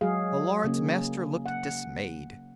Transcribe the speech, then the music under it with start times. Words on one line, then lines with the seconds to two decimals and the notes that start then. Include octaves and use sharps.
The Lords-Master looked dismayed.
0.01 F#3 G#3 F#4 G#4 F5
0.64 C#3 A#3 C#4
1.46 F#5